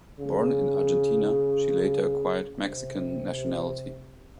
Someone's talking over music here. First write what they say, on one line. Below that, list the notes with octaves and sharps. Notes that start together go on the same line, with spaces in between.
Born in Argentina, she later acquired Mexican nationality.
C#3
C3